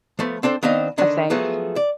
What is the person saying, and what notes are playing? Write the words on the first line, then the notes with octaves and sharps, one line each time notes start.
a thing.
F3 A3 B3
C4 D4 A4 C5
D#3 B3 C4 D4 D#5 F5
D3 D#3 D4
F3 F#3 A3 B3 G#4
D5